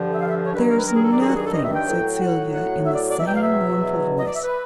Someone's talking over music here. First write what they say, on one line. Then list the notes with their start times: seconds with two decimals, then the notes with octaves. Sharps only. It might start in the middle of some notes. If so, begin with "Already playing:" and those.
"There's nothing," said Celia in the same mournful voice.
Already playing: G2 D3 F3
0.14 E5
0.21 F5
0.29 E5
0.46 C#5
0.54 G2 D#3 F#3 B4
0.71 A#4
0.79 B4
0.87 A#4
0.95 G#4
1.04 A4
1.12 D5
1.20 G#4
1.28 F#4
1.36 G#4
1.45 A4
1.53 D#5
1.64 E5
1.75 G5
1.87 A2 F#3
2.16 G5
2.20 F#5
2.52 F#5
2.86 E5
2.94 D5
3.10 D5
3.18 E2 B2 F#3 E5
3.27 G5
3.35 F5
3.43 E5
4.18 D#5
4.27 D5
4.35 E5
4.43 B4